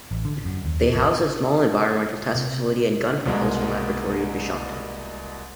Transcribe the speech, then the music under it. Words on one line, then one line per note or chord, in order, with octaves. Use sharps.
They house a small Environmental Test Facility and Gun Propulsion laboratory at Bishopton.
A1
D3
F#2
D#2
A1
C3
C2 B2 G#3 A#3 A#5